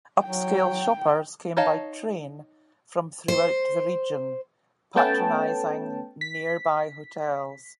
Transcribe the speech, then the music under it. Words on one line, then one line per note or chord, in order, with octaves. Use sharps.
Upscale shoppers came by train from throughout the region, patronizing nearby hotels.
F#3 G5
D#4 C#5 D#5 F5 A5
C5
A3 B3 C#4 G5 A5
B6